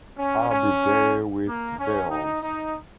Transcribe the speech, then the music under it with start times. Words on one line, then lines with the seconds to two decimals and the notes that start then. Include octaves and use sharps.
I'll be there with bells!
0.17 C#4
0.49 C#4
1.46 A#3
1.78 C#4
2.10 D#4
2.42 D#4